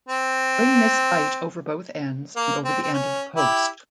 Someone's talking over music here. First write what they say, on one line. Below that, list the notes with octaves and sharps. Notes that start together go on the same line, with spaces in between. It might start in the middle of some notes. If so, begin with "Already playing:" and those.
Bring this bight over both ends and over the end of the post.
C4
A#3
C4
C4
C#4
E4 G4